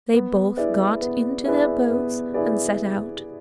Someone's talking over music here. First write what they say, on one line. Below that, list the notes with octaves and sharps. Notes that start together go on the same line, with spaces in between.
They both got into their boats and set out.
B3
E4 G#4 B4 D5
B3
E4 G#4 B4 D5
B3
E4 G#4 B4 D5